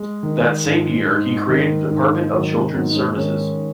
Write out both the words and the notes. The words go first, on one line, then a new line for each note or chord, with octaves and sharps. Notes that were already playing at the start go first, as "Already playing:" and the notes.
That same year, he created the Department of Children's Services.
Already playing: G#3
D#3
G#2
G#2
D#3
G#2
D#3 F#3
F#3
G#3
G#2 F#3 B3
D#4
G#3 C#4
D#3 G#3 C#4